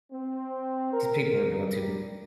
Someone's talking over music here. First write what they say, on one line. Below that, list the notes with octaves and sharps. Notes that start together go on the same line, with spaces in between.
These people are doing too much.
C4
A#4
G3